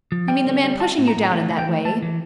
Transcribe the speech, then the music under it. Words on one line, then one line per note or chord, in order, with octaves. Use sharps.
"You mean the man pushing you down in that way?"
F3
G3 G5
D3
G3
E4 A5
A2
A#5
A2
A#5
A3
E3
G5
A3
A3 A5
E3